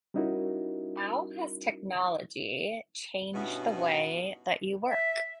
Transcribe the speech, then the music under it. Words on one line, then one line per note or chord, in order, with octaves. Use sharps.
How has technology changed the way that you work?
G3 C#4 D#4 E4 F#4 A#4
G2 B2 B3 C#4 D#4 E4
E5